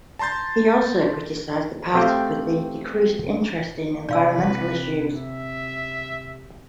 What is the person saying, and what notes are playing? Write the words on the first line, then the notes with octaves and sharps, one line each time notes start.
He also criticised the party for its decreased interest in environmental issues.
A5 A#5 C6 G6 A6
A3 C4 G4 F5 G5
C3 B4 D5 F5 E6
E5